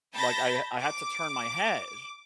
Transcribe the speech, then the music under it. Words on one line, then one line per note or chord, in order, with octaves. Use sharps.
Like I I had to turn my head,
A5 B5 G6 A6 A#6
D6